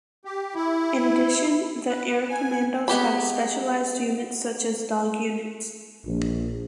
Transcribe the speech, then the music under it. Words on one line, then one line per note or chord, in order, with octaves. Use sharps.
In addition the air commandos have specialized units such as dog units.
G4
E4
B4
G#5
G#3 B3 G4 B5
A#1